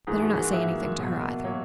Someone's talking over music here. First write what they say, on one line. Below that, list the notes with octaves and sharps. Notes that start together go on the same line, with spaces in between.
"Better not say anything to her either."
G#2 E3 A#3 G#4
F#4
F#4
G#2 E3 A#3 E5
B2 F#3 A#3
B2 F#3 A#3 C#5